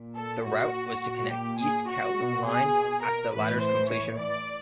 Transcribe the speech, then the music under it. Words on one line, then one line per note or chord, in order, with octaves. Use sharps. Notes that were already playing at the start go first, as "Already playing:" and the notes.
The route was to connect East Kowloon Line after the latter's completion.
Already playing: A#2
A4
F#4
A#2
G4
G#4
F#4
B2
G#4
A#4
A2 E3 B4
C5
C#5
D5